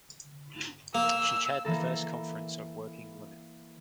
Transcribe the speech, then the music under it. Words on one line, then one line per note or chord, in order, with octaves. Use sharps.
She chaired the First Conference of Working Women.
A#3 E6
E3 A#3 A4